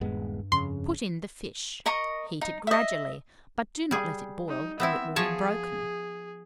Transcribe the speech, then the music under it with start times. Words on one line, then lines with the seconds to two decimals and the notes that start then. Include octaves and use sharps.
Put in the fish; heat it gradually; but do not let it boil, or it will be broken.
0.01 D#1 G2 G#3 B3
0.52 F2 C#3 C6
1.86 A#4 D#5 A#5 C#6
2.41 D#4
2.67 D#5 E5
3.91 G3 G#4
4.48 D#4
4.80 B3 C4 E4 E5
5.16 F3 G#4 C#5 A5